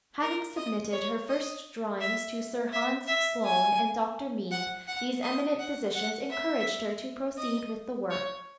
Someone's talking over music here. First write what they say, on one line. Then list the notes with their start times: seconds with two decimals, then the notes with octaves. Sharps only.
Having submitted her first drawings to Sir Hans Sloane and Dr Mead, these eminent physicians encouraged her to proceed with the work.
0.22 A#4
0.56 D#5
0.92 C#5
1.28 D#5
2.00 E5
2.73 E5
3.08 E5
3.44 G#5
4.51 F#5
4.87 F#5
5.22 D#5
5.59 F#5
5.95 F#5
6.30 E5
7.37 D#5
8.10 C#5